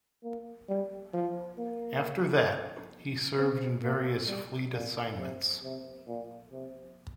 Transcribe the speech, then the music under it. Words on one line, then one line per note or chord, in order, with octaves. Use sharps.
After that he served in various Fleet assignments.
A#3
G3
F3
A#3
C4
A#3
G3
A#2
C3
C3
A#2
C3